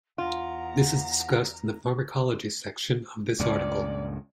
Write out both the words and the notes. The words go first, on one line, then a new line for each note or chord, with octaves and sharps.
This is discussed in the Pharmacology section of this article.
E2 F4 F#5 A#5
C#2 G2 A#2 D5